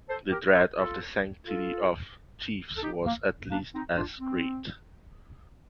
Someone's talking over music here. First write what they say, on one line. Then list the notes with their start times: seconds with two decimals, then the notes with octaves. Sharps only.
The dread of the sanctity of chiefs was at least as great.
0.09 A4 C5
0.31 G4 A#4
0.54 F4 A4
0.77 F4 A4
1.45 F4 A4
2.77 A4
2.83 D#4 G4
3.05 A#3
3.50 A#3 D4
3.74 C4 D#4
3.96 D4 F4
4.20 C4